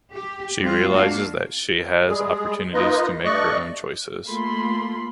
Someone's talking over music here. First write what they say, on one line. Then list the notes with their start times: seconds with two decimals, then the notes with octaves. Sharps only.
She realizes that she has opportunities to make her own choices.
0.12 G4
0.60 G3 C4 F4
0.92 G#3 A#3 D4 F#4 F5
2.07 G3 G#3 G#4
2.74 A#3 D#4 F4 B4 D#5
3.25 G2 A3 D5 D#5 C#6 F#6
4.26 A3 A#3 F4 B5 C6